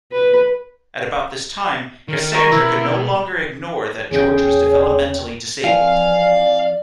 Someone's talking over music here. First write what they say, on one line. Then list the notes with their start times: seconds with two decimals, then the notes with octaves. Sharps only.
At about this time Cassandra could no longer ignore that George was developmentally disabled.
0.12 B4
2.08 D#3 A#4
2.35 A#4 C#6
2.51 B2 E4 B4
4.11 E2 C#3 G#4 C#5 G5
5.64 E3 F3 C4 D5 F5 G#5